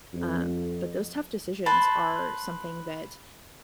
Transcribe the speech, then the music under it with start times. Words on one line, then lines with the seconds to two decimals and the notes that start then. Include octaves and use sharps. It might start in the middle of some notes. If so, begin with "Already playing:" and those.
um, but those tough decisions are something that
0.14 F2
1.66 B4 C5 A5